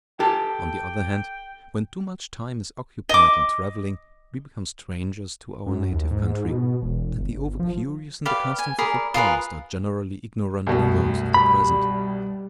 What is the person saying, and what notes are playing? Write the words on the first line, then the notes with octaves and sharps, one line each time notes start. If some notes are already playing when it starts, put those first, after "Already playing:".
On the other hand, when too much time is occupied in traveling, we become strangers to our native country; and the over curious in the customs of the past are generally ignorant of those of the present.
G4 A4 G5
D#5 D6
F#2
D#2
G#2
B2
E1
G1
F3
G4 B4 D5 F5
G#5
G#4 A#4 D5 B5
F4 G#4 A#4 B4
C2 F#2 B2 A3
G3 B5